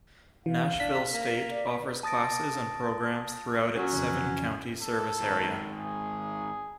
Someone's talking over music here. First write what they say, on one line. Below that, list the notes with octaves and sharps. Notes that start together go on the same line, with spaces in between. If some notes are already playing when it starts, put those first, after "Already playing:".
Nashville State offers classes and programs throughout its seven county service area.
E3 F5
D4 B6
A#3
D5
A5 D#6 A6 A#6 D7
F#3 C#4 C#5
F2 C#3 E3
A4
G#2 D#3
G#4